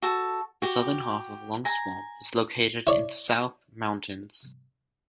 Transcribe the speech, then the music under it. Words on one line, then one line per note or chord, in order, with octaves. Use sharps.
The southern half of Longswamp is located in the South Mountains.
F#4 A4 A5
F#4 G4
G#5 A#5
E4 C#5 D5